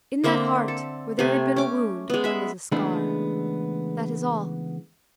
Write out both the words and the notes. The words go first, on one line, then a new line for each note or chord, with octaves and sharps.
In that heart, where there had been a wound, there was a scar. That is all.
D3 A#3 C4 E5
A4
C3 A3 G#5
C#4 D6
G#3 B3
E5 B5
C#3 E3 G#3 A3 B3 D4